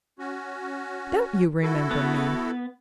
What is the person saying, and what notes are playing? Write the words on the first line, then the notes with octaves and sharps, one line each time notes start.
"Don't you remember me?"
C#4 F#4
E4 F#4 A4
B3